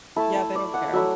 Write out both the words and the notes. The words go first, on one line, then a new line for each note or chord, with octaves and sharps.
Yeah, they don't care.
A3 E4 A5
A5
D5
F#5
F#3 A3 E4 E5